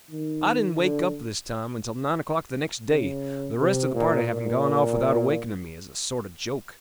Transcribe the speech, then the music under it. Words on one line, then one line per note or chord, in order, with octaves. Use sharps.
I didn't wake up this time until nine o'clock the next day, the rest of the party having gone off without awakening me, as a sort of joke.
D#3
D3
C#3
C3
A#2
A#2